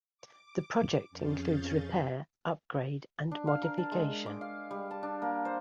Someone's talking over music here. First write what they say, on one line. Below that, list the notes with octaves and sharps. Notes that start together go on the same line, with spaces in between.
The project includes repair, upgrade and modification.
D6
F2 C#4 G#4 F5 G6 A6
D4
F5
A#4
A5
G#3
D6
F5
G3
A5
D4
A#3
C5